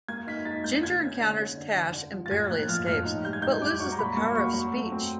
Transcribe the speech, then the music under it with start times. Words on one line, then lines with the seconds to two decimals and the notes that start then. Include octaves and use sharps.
Ginger encounters Tash and barely escapes, but loses the power of speech.
0.09 A#3 G#6
0.27 D#4 B6
0.45 D#4 A6
0.64 A#3 G6
0.83 D3 G#6
1.01 C#4
1.21 D3
1.39 C#4
1.57 D3
1.76 D3
1.94 D3
2.13 F3
2.26 A6
2.31 A2 G#6
2.51 A#3 F#6
2.68 F3 F6
2.87 A2 F6
3.05 D#4
3.24 G3 G6
3.33 G#6
3.42 D#4 G6
3.62 G3 D6
3.80 F#3 C#6
3.92 A#5
3.99 A#2 B5
4.17 A#3 C#6
4.35 F#3 C#6
4.54 F#3
4.72 A3
4.92 C4